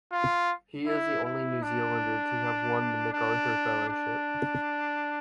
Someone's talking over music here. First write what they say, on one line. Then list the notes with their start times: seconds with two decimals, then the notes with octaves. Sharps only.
He is the only New Zealander to have won the MacArthur Fellowship.
0.12 F4
0.86 E4
1.24 E4
1.62 D4
3.13 D4
3.89 D4